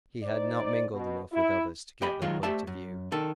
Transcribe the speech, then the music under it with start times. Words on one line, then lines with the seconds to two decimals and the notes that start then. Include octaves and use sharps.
He had not mingled enough with others to get their point of view.
0.23 D#4 C5 D5
0.93 B2
1.31 E4
2.02 G4 D#5 G#5 B5
2.22 D#3 F#3 G#3 F4
2.43 A3 G4 C5 D5 E5 A5
2.67 F#2
3.12 D#3 A4